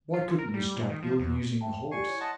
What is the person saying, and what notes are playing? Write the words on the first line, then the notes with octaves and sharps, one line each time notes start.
Why couldn't you stop ill-using the horse?
F4
A#4
G3
A#2
D#3
F3
E2
E5 G5 A5
G4 D5 G#5 C#6 C7
E4 C#5
D#5 F#5 A5 C6 A6